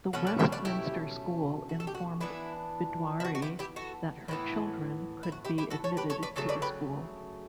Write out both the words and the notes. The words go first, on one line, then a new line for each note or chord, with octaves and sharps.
The Westminster School informed Viduarri that her children could be admitted to the school.
B2 A3 C#4 F#5
D5 F#5
E5 G5
D5 F#5
E4 G4
F#4
A4
G4
F#4
E3 B3 D4 E4
E4
F#4
F#4
E4 G4
E4 G4
F#4 A4
A2 E3 B3 E4
E4
F#4
E4 G4
E4 G4
F#4 A4
A4 C#5
G4 B4
A4 C#5
B4 D5
C#3 F#3 A3 A4 C#5
B4 D5
G4 B4